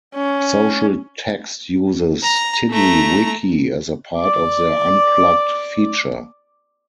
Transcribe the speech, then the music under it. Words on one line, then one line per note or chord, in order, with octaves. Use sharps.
SocialText uses TiddlyWiki as a part of their unplugged feature.
C#4
A#5
A3 A#5
D5 D6